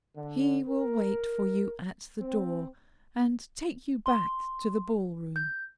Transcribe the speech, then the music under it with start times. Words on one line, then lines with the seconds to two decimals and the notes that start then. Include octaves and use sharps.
He will wait for you at the door, and take you back to the ball-room.
0.15 D3
0.67 A#4
2.19 C4
4.06 C6
5.36 G6